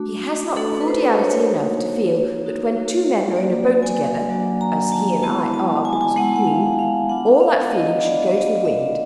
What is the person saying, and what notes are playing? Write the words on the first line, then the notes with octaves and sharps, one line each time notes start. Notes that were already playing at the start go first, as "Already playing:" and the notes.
He has not cordiality enough to feel that when two men are in a boat together, as he and I are because of you, all that feeling should go to the wind.
Already playing: A3 D4 F#4
A3 D4 F#4 A4
B4
C5
C#5
A#3 D#4 F#4
A#3 D#4 F#4
F#3 A#3 D4 F#4 D5
G#5
F#3 A#3 D4 F#4
A#5
A5
G#3 B3 E4 A5
A5
G#5
A5
G#5
G#3 B3 E4 F#5
F#5
F5
F5
B3 D4 F4 F#5
F5
D#5
B3 D4 F4 D5
D#5
E5